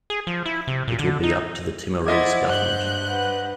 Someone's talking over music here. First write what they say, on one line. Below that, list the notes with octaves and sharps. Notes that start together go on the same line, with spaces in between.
It will be up to the Timorese government.
G#4
F3
E4
C3
A#2
D3
D#4
E4 C5 D#5 F#5 D6 G#6 A6
G2 F#6 G6
B4 F#5